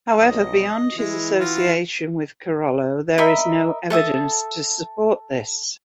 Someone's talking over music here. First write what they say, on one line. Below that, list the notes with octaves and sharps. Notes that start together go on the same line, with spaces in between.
However beyond his association with Carollo there is no evidence to support this.
B1 D#5
E3 G#3 E4
F4 F#4
A#4 D#5 E5 B5
A4 E5 A5 D#6